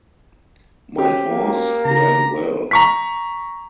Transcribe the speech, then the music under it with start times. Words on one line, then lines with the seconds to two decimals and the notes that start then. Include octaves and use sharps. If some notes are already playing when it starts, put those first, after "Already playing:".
My horse ran well.
0.98 C#4 F#4 G4 C5
1.30 A#3
1.85 C#3 A#5
2.71 A#5 C#6 B6